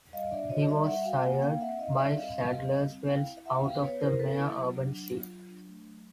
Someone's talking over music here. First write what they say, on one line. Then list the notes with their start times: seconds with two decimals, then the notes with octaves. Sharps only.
He was sired by Sadler's Wells out of the mare Urban Sea.
0.13 G3 D#5 F5
0.31 D4 D5 E5
0.50 F#4 C#5 D#5
0.68 G3 D5 E5
0.87 G3 E5 F#5
1.05 F#4 F5 G5
1.24 A#3 F#5 G#5
1.42 A#3 F5 G5
1.61 C4 E5 F#5
1.79 D#4 D#5 F5
1.98 G3 D5 E5
2.16 C4 D#5 F5
2.35 G3
2.53 C4
2.71 G3
2.90 C4
3.09 E4 F5 G5
3.27 E4
3.45 E4 E5 F#5
3.64 B3 F5 G5
3.82 B3 B4 C#5
4.01 E4 A#4 C5
4.19 B3 A4 B4
4.38 E4
4.57 F#3
4.75 D4
4.94 F#3
5.12 F4
5.30 F#3
5.49 D4
5.68 A3
5.86 F#3